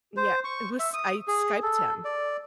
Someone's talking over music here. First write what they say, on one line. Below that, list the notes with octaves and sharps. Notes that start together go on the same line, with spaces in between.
yeah, it was I Skyped him.
C5
C#6
E5
D#6
G#4
A4
D5